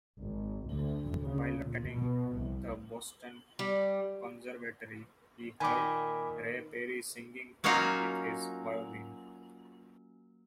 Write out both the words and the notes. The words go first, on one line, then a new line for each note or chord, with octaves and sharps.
While attending the Boston Conservatory, he heard Ray Perry singing along with his violin.
G#1
D2
C#3
A#2
B2
C2
G3
A#2 D#3 G#5 B5 D6
F#3 A#3 C#4 D#4 F4 F#4